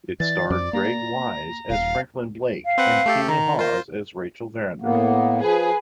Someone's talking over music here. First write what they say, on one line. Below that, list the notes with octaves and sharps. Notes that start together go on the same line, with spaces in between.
It starred Greg Wise as Franklin Blake and Keeley Hawes as Rachel Verinder.
E3 D5 A6
F2 F3 D6
A#3 A#5
D#1 F5
F5
C4 B4 F#5
A3 G4 A4
D#3 A#5
F4 A#4 C5
A2 A#3 B3
F3 G#4 B4